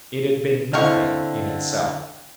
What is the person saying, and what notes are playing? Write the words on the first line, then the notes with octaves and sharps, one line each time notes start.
It had been nothing in itself.
D3 C4 E4 D#5 F5 G5 C#6